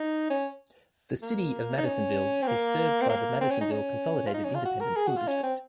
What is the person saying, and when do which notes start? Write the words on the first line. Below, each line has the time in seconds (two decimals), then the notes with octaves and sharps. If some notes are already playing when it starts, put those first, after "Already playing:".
The City of Madisonville is served by the Madisonville Consolidated Independent School District.
Already playing: D#4
0.30 C#4
1.23 A#3
1.78 D#4
1.85 C#4
2.42 C4
2.48 A#3
3.02 C4
3.09 A#3
3.41 C4
3.50 C#4
3.61 D#4
3.72 C#4
4.27 F4
4.34 D#4
4.44 C#4
4.55 F4
4.65 F#4
4.80 A#4
4.96 G#4
5.07 F#4
5.17 F4
5.28 C#4
5.43 C4